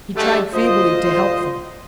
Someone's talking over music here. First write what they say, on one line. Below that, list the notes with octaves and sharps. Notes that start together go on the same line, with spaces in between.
He tried feebly to help them.
D3 G#3 A3 G4
D2 F4 C5 D#5